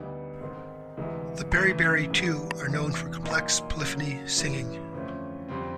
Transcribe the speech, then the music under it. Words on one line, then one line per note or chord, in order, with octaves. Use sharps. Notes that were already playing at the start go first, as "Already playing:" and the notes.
The Beriberi too are known for complex polyphony singing.
Already playing: D2 D3 G3 B3 D#4
G#2 D#3 G#3 C4 D#4
D2 C3 E3 G#3
F#2 C#3 E3 A3
G#2 E3 G3 B3 D4
E2 C3 E3 A3 D4
A#2 F#3 A#3 D#4
C#3 F#3 A#3
G2 E3 A3 C#4 E4
F2 D3 F3 A3 C#4
F2 D3 G3 C4